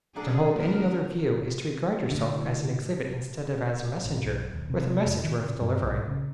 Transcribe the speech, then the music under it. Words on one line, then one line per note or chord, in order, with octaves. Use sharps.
To hold any other view is to regard yourself as an exhibit instead of as a messenger with a message worth delivering.
C#3 F#3 D4 G#4 A4
F#1 B3 A#4
A2 D3
A1
B1
D#2
C3
F2
D#3
C#3
G2
B1
C#3